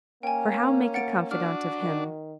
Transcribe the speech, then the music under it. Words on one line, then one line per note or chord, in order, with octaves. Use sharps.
For how make a confidant of him?
A#3 C#4 G5 G#5
F#5 A6 D7
D4 F#4 F6
D#3